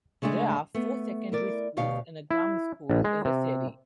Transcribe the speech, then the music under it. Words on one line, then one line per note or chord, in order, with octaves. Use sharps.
There are four secondary schools and a grammar school in the city.
C#3 G#3 A3 D4 F#4 G#4
A3 B3
E4 A#4 D5
D2 B2 G4 C#5 F5
E4
A#1
G#3
C3